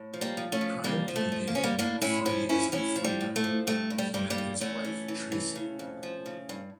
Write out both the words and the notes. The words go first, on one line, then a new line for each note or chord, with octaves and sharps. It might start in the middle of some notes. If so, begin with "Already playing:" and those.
Prior to beginning "Free as in Freedom" he met his wife Tracy.
Already playing: A2
F3
G3 A#3
F3
A3 C#4
F3
F2 G3 A#3
F3
A3
F3
A#3
F3 C#4
G3 A#3
A2 A#3 D4
A2 C#4 E4
F3 C#4 E4
F3 C#4 E4
A2 C#4 E4
F3
G3
A2
A3
F3
G2 A3
G2
G3
G2 G3
G3 A#3
G2
E2 A3 C#4
E3
E3
E3
C#3
F2
F3
C#3
G2